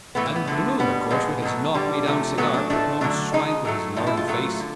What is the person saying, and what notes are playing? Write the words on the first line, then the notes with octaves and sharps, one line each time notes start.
And Bloom, of course, with his knockmedown cigar putting on swank with his lardy face.
A2 E3 A3 B3
A#3
B3
D3 F3 A3
B2 G3 B3
A#2 F3 G#3
B2 F#3 A3
D3 G3
C3 F3 A3
A#2 F#3 A3 B3
D4
A2 F3 A3 D4
D3 F#3 A3 D4
C#3 F3 G#3 D#4
A2 F#3 A3
A2 F3 G#3
E4
F4
A2 F#3 A3
D3